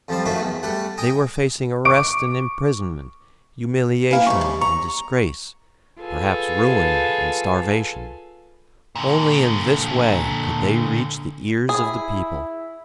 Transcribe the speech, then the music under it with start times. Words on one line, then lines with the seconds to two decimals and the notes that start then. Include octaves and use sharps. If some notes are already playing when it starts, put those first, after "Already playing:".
They were facing arrest and imprisonment, humiliation and disgrace--perhaps ruin and starvation. Only in this way could they reach the ears of the people.
0.08 F2 F3 G3 C5
0.25 F#2 D#3 A3 F4 F#4 B5
0.41 E2
0.63 G3 A3 F#5
0.97 D#5 G5 G#5 A#5 D#6
1.85 C#6 D6 D7
4.11 A#3 E4 B4 F5 G#5
4.27 G#2 G3 A3 C#6
4.41 C#3 G3
4.61 A#5 C#6
6.01 F4 G#4 A4 B4 G#5
8.95 A#2 D3
11.69 E4 G#4 B5